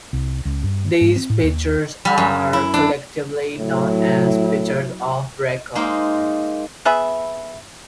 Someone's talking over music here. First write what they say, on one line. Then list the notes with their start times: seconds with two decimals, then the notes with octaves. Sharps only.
These pitchers are collectively known as the pitchers of record.
0.13 C2
0.45 C#2
0.63 G2
1.01 G#2
1.16 C4
1.30 A2
1.43 D#2
2.05 G3
2.18 F#2
2.53 E4
2.74 D4
3.59 A2 F#3 E4
5.75 G#3 A#3 D#4 A#4 C5
6.85 B3 G#4 E5 B5